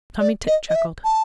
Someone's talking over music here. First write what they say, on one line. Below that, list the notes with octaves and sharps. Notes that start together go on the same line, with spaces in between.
Tommy Tit chuckled.
D5
D#5
D#5
E5
A5